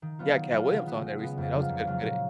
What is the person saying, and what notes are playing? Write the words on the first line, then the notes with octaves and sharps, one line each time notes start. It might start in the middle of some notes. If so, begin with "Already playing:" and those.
He had Katt Williams on there recently, that was a good good e
D#3
F#3 B3 F4
D#3
F#3 B3 F4
C#3
G#3 B3
C#3
G#3 B3
F2
C#3 F#3 A#3 F4
F2
C#3 F#3 A#3 F4
A#2